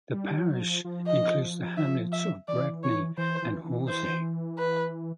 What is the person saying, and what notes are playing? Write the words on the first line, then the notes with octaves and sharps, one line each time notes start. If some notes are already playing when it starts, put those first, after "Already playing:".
The parish includes the hamlets of Bradney and Horsey.
G3
F#3
F3
F3
D#5
E5
E5
E3 D5
C#5
E3 C5
E3
E3
C5
B4